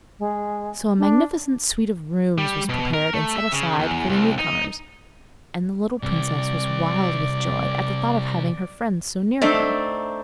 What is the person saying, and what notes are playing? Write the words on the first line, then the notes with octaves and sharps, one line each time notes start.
So a magnificent suite of rooms was prepared and set aside for the new-comers, and the little princess was wild with joy at the thought of having her friends so near her.
G#3
D4
G3
B2
A#4
A3
E5
C#3
E2
C2
D#4
C3 G3 D5
A3 C4 D4 D#4